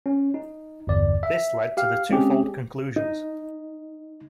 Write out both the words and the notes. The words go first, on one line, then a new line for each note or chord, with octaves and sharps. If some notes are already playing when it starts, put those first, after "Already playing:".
This led to the twofold conclusions.
C#4
D#4
G1 E2 D5
E5
G4 F5
G#3 C4 C#4 G4 G#4
D#4